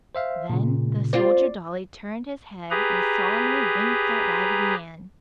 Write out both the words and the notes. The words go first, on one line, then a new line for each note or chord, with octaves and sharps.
Then the soldier dolly turned his head and solemnly winked at Raggedy Ann.
C5 E5 F5
A#2 C#3
C4 F4 D5
G4 G#4 B4 A#5